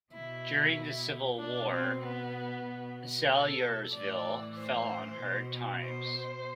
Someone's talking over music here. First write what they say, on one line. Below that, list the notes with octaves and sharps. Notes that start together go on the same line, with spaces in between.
During the Civil War, Salyersville fell on hard times.
B2 E4
B2 D4
C4
B3
B2
A4
A2 E3 D5
C5
B2
C5